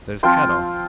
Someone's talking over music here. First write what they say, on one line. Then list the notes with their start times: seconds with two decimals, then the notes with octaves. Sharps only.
'There's cattle!
0.23 F3 C4 F4 G5 C6